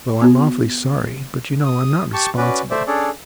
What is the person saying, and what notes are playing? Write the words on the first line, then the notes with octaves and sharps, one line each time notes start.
Well, I'm awfully sorry, but you know I'm not responsible.
B3 F#4
D#6
G4 A5 C#6
C#4 F#4 B4 D5
A3 C5 D5 E5
C#4 D4 G#4 A4 C#5 D5